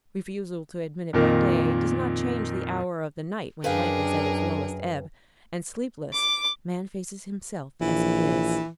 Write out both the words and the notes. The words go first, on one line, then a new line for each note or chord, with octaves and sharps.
Refusal to admit it by day does not change the hour of the night when life is at its lowest ebb, and, sleepless, man faces himself as he is.
F2 A#2 D#3
F#2 D4 G#4 A#4 B4 F5 G5
D6
A#1 E3